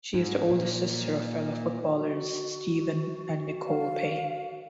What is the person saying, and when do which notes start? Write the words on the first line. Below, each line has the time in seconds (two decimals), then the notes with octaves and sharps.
She is the older sister of fellow footballers Stephen and Nicole Payne.
0.14 G#2
0.50 A#2
1.95 F#4
3.67 F5